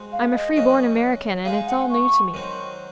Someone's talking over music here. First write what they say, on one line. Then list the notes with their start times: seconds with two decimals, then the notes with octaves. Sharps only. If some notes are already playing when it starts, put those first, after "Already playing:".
I'm a free-born American, and it's all new to me.
Already playing: G#3 C4 F#4
0.12 F5
0.33 D#5
0.56 D#3 F#3 C#4 F#4
1.45 G#3 D#4 G#4 F5
1.67 F#5
1.90 C#6
2.34 D#3 F#3 C4 F#4